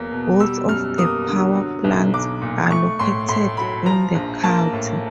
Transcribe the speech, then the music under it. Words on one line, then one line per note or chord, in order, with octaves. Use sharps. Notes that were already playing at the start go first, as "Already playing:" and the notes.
Both of the power plants are located in the county.
Already playing: E2 F#3 A#3
B2
G3 E6
F#2 F6
A#3 D#6
D3
F#3
B1
B1 D6
A#2
A3 C#6
A2 C6
A2 C6
F#3 B5
F3 A#5
A#1
A#3 A5
A2